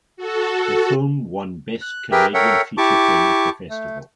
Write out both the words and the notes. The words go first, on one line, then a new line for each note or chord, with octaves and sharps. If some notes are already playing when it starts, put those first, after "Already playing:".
The film won Best Canadian Feature Film at the festival.
F#4 A4
F#6
G4 G#4 A#4 B4 E5 G5
A4 A#4 C#5 E5 F#5 G5
E4 G4 A5 C#6 D6
A3